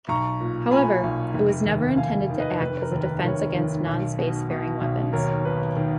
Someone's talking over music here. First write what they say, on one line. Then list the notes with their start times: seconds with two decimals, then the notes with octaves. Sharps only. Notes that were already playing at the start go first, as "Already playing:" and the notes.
However, it was never intended to act as a defense against non-space faring weapons.
0.08 B1 A#5 C#6
0.41 A#2
0.71 A#2 G#5 B5
1.03 B1
1.34 F1
1.66 D#2
1.97 F1 F5 G#5
2.30 D#3
2.39 B4 D#5
2.60 F1 B4
2.82 A#4
2.92 D#2
3.03 B4
3.24 F1 A#4 C#5
3.55 D#3
3.87 B1
4.18 B2
4.51 B2
4.81 B1
5.13 D#2 A#4 C#5
5.45 D#3 B4
5.76 D#3